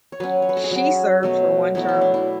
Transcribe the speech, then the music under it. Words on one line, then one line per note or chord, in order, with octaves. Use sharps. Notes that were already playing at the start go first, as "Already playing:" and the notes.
She served for one term.
C#5
F#3 C#4 B4
C#5
B4
A4
G#4
F#3 C#4 F#4
B2 F#3 A3
B2 F#3 A3 E4
E4
D4
E4